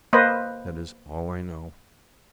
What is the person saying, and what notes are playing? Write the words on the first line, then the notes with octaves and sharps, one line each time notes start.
That is all I know.
A#3 B4 C5 D#5